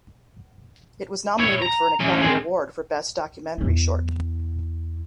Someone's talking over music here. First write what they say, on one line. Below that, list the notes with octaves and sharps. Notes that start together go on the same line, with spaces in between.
It was nominated for an Academy Award for Best Documentary Short.
E4 C#5
A#5
E3 C#4
C4 G#4
E2 E4